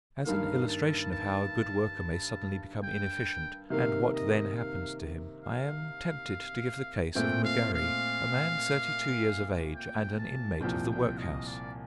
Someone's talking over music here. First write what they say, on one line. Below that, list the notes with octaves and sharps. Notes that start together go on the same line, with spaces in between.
As an illustration of how a good worker may suddenly become inefficient, and what then happens to him, I am tempted to give the case of M'Garry, a man thirty-two years of age, and an inmate of the workhouse.
G2 D#3 A#3 F5
A5
A5
G5
C3 D#3 A#3 F5
D#5
F5
F5
A#2 A3 C4 G5
F5
F5
G5
A5
C2 A#2 F3 G5
G5
D#5
D5